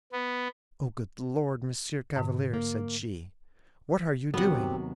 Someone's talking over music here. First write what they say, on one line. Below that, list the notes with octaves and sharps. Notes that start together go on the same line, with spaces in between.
"Oh, good Lord, Monsieur Chevalier," said she, "what are you doing?"
B3
G#2 D3
A#3
D#2 C3 F#3 B3 C4 F#4 G4 F#5